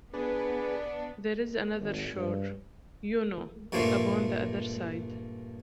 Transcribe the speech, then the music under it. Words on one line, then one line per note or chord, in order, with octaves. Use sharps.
There is another shore, you know, upon the other side.
B3 D4 G#4 B4
G#1
G2
G2 A#2 A3 A#3 C5